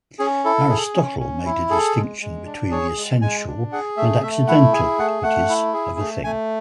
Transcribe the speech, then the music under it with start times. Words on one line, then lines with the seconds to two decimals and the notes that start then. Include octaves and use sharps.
Aristotle made a distinction between the essential and accidental properties of a thing.
0.19 C#4 G#4
0.45 E4 A4
0.69 G#4
0.95 C#4
1.20 C#4
1.45 E4
1.70 G#4 A4
1.96 G#3
2.22 G#3
2.46 D4
2.71 G#4 C#5
2.97 G#3
3.22 G#3 G#5
3.47 D4
3.72 G#4 F#5
3.97 A3 E5
4.23 A3 E5
4.48 E4 F#5
4.73 G#4 G#5
4.98 A3 F#5
5.23 A3 F#5
5.49 E4
5.74 G#4
5.99 A3
6.24 A3 G#5